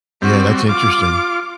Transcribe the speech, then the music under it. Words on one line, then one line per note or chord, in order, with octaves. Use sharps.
Yeah, that's interesting.
G3 C4 F#4
F4 D6